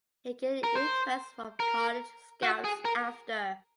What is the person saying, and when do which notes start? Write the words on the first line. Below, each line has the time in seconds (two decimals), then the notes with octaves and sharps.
He gained interest from college scouts after.
0.64 A#4
0.75 C5
1.60 A#4
2.43 F#4
2.64 G#4
2.85 A#4